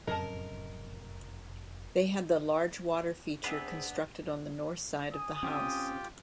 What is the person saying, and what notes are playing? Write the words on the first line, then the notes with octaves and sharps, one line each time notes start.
They had the large water feature constructed on the north side of the house.
F1 F#2 A2 C#3 A#4 D#5 A5
B3 C4 D4 F4 G#4 B4
G#5 D#6
C4 C#4 F4 G4 G5